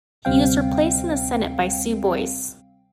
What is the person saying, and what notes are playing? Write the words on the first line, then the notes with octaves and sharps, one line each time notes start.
He was replaced in the Senate by Sue Boyce.
D2 C3 G3 C4 F5 G5